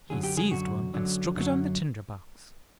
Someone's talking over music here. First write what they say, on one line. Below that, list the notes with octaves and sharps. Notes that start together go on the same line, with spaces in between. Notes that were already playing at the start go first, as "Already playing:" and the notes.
He seized one and struck it on the tinder-box.
F#2 D3 F#3 G#4
G4
G#4
F#2 D3 F#3 F#4
F#2 D3 F#3
F#2 D3 F#3